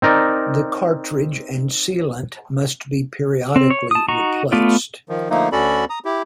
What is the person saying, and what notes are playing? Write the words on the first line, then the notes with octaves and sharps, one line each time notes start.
The cartridge and sealant must be periodically replaced.
C4 D#4 A#4 D5
C4
C#5
A5 D#6
D#4 F#4 A#5 C#6
A3 B3 F4 B4 D5
D#3 F3
D3 F3 A3 A#3 D#4
D2 C#4 F#4 A4 D5 B5
A#5 D#6
E4 G4